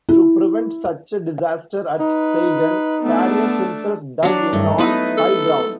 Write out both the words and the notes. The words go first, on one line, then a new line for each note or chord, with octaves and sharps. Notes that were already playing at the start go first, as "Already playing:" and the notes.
To prevent such a disaster at Siegen, Carius himself dug in on high ground.
E4
D#4 B4
A3 B3 D4
F#3 D4
G2 D#3 A3
B3 D#4 E4 B4
A4